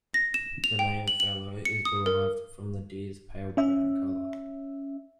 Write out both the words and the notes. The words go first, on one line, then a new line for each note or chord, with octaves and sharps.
The name fallow is derived from the deer's pale brown color.
A#6
E7
F7
G5
F#7
F#7
C#7
D#6
A#4
C#4 E5